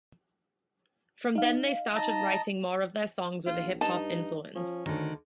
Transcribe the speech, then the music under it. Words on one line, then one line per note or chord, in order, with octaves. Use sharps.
From then they started writing more of their songs with a hip hop influence.
D#4 F5
D#5 A5 A#5
A#1 F4
G2 D#4 A5
F3 C#4
D2 D3 D#3